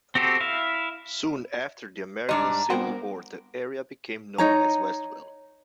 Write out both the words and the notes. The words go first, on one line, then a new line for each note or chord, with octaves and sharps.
Soon after the American Civil War, the area became known as Westville.
C4 F#4 G4 A4 C5
E4 E5 F5
G#2 G3 D4 D#5 A#5
D3 G3 B3 C4 F#4 A#4 F#5
D#4 C#5 A#5